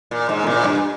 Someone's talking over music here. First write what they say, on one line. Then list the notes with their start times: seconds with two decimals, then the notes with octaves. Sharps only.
you know.
0.11 A#2
0.29 G#2
0.47 A#2
0.64 G2